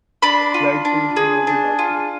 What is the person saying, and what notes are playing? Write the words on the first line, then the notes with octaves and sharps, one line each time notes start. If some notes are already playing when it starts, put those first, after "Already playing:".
Light will win over darkness.
D4 B5
F4
D4
G#4
D4
F4